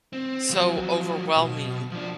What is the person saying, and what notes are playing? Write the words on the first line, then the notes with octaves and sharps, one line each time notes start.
so overwhelming
C4
F3 F#3
B2
F3 D4